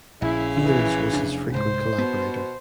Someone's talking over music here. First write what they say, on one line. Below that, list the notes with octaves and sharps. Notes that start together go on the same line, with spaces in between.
Fields was his frequent collaborator.
A#1 C#3 E4
E3
F1 E2 D4
C2 G#2 C5
B2 B3